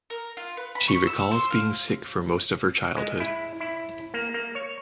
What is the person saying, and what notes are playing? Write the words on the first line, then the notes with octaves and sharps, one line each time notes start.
She recalls being sick for most of her childhood.
A#4
F4
B4
B5
C#6
E6
C5
F5
G#3
E4
E4
A#3
A#3
C#5